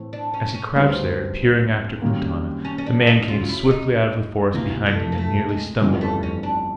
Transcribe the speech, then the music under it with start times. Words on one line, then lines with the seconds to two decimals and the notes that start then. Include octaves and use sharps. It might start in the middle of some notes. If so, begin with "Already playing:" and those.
As he crouched there, peering after Quintana, a man came swiftly out of the forest behind him and nearly stumbled over him.
Already playing: A2 E3 A3 C4
0.13 D4
0.34 C#4
0.54 C#4
0.75 D2 D3 G3 B3 C4 D#4
2.02 F#2 D#3 G3 A#3
2.65 C#4
2.78 C#4
2.87 D4
3.07 D#4
3.28 D2 C#3 F#3 F4
3.49 E4
3.71 D#4
4.54 D2 C3 E3 A#3
4.86 A3
5.12 A#3
5.18 A3
5.49 G#3
5.80 G1 F2 C#3 E3 G3 G#3
6.01 A3
6.23 C#4
6.43 D4